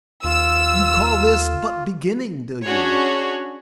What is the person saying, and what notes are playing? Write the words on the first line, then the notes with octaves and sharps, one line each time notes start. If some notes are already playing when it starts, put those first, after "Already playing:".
You call this but beginning, do you?
D#2 F4 E6
C#4 D4 F#4 G#4 C#5